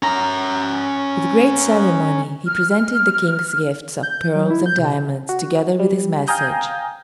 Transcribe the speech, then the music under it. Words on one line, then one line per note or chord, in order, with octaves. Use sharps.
With great ceremony, he presented the King's gifts of pearls and diamonds, together with his message.
C#4 A#5
F6
G6
F#3
E4
G6
C3
F#4
G3
F5 G5 G#5 A#5 D#6 G6